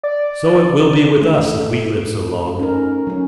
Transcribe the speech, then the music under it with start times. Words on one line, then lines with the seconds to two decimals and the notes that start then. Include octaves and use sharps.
So it will be with us, if we live so long.
0.03 D5
1.22 A3
2.59 C#4 D#4 A#4
3.07 F#3 C#4